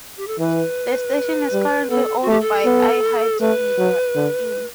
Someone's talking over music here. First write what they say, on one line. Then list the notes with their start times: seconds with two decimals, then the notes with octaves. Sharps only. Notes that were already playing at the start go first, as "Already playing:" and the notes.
The station is currently owned by iHeartMedia, In.
0.17 G4
0.27 A4
0.39 E3 B4
1.53 G3
1.90 B3 A4
2.22 F#4
2.27 A3 G4
2.41 A4
2.65 B3
3.40 A3 B4
3.78 F#3
4.15 D3